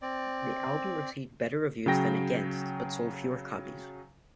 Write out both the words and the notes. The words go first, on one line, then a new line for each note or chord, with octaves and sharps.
The album received better reviews than "Against", but sold fewer copies.
C4 D5
C#3 F#3 G5 A#6